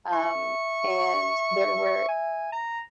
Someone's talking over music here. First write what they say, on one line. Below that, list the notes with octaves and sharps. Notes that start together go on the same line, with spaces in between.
um, and there were
E5 C#6
G#5
A#5